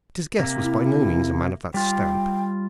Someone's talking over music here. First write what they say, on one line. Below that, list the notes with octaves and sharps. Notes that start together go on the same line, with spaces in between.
But his guest was by no means a man of that stamp.
C3 A#3
E4
G3 F4 G5